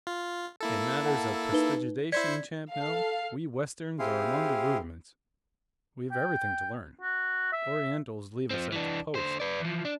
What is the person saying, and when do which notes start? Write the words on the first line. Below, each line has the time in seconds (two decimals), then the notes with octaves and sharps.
In matters of prestidigitation, Champnell, we Westerns are among the rudiments,--we've everything to learn,--Orientals leave us at the post.
0.07 F4
0.61 A#3 E4 A4
1.06 F#5 A5
1.53 D#4 B4 G7
2.12 E4 C5 D5 G#6 B6 C#7
2.72 A4 F5
3.99 C4 E4 G4 G#4 F5 C6
6.12 G5
7.01 F#4
7.53 E5
8.51 F3 C4
8.72 E3 D4
9.15 D3 C5
9.40 B4 D5
9.60 E3 F3
9.85 D4